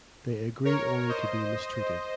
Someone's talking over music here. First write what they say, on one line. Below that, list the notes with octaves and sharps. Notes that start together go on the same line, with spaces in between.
They agree only to be mistreated.
A#4 C#5
C5 D#5